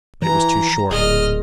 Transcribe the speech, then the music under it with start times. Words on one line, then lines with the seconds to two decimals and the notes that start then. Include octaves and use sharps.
But it was too short.
0.22 E3 A#5
0.91 D1 A#2 G#4 D#5 F6